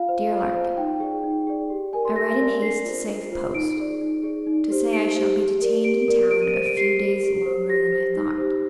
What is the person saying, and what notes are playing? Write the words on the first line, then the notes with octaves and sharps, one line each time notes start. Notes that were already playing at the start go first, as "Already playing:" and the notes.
'DEAR LARKIN,--I write in haste to save post, to say I shall be detained in town a few days longer than I thought.
Already playing: F4 F5
C5
F4
C5
D#4 G5
G#4 D5
D#4
G#4 D5
G4
A#4 D5 G#5
C6
G4 A#6
A#4 D5
D4 C7
F4 C5
D4
F4 C5
D#4 D7
G#4 D5
D#4
G#4 D5
D#4
G4 C5
D#4 D7
G4 C5
G4
A#4 D5
G4 D7
A#4 D5
G4 D7
D#7
C5 D#7
D7
G4 C7
C5
G4
C5
G4 A#6
C5
D#4
G4 C5